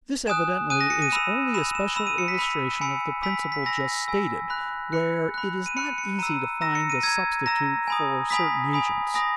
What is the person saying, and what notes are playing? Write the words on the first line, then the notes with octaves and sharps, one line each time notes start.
This evidently is only a special illustration of the principle just stated, where it is not easy to find a substitute for certain agents.
G#5 D#6 F#6 E7
G#5 D#6 F#6 D#7
A#6
C#7
D#7
B5 E6 E7
B5 E6 E7
E7
B5 E6 E7
D#7
C#7
B6
B5 E6
G#5 B5 E6 C#7
G#5 B5 E6 B6
B6
G#5 B5 E6 A#6
G#5 B5 E6
B5 F#6
B5 F#6 C#7
B5 F#6
D#7
B5 F#6 C#7
C#7
A#5 E6 D#7
A#5 E6 A#6
C#7
D#7
A#5 E6 G#6
A#5 E6 A#6
G#5 B5 D#6
G#5 B5 D#6 B6
G#5 B5 D#6
G#5 B5 D#6 A#6